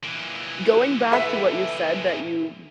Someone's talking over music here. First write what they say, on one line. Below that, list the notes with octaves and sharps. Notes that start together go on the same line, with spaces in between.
going back to what you said that you,
A#2 E3
A4 B4 E5